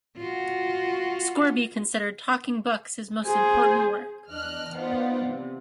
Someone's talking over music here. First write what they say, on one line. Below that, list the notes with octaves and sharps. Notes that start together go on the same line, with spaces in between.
Scourby considered Talking Books his most important work.
F4 F#4
G#4 C5
E2 D4 D#5 F6 F#6
B3 D#4 F4 C5 D5 F#5
C3 E3